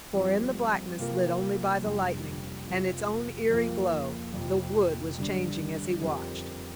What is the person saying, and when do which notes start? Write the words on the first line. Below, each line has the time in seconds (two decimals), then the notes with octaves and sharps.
For in the blackness lit only by the lightning and its own eerie glow, the wood was changing as he watched.
0.13 G2 F3 C4 G4
0.98 C3 A#3 F4 A#4
1.83 F2 C3 G3 D4
2.66 F2 C3 F3 C4 F4
3.50 F2 F3 A#3 F4 A#4
4.34 F2 C3 F3
5.18 G2 D3 G3 D4
6.02 F2 F3 C4 G4 A#4